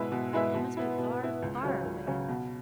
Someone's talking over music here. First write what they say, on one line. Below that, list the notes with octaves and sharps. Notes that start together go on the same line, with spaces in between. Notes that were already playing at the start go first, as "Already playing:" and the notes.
But it must be far, far away!
Already playing: B2 G#3 E4 B4 E5
B2
G#3 E4 B4 E5
B2
B3 E4
B2
B3 E4
C#2
C#3 F#3 C#4
C#2
C#3 F#3 C#4
B2